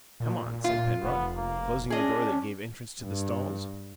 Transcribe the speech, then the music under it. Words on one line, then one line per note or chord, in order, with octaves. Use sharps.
"Come on," said Penrod, closing the door that gave entrance to the stalls.
A#2
F4
F1 B3
A#3
C#4 D4 G#4 D#5
G2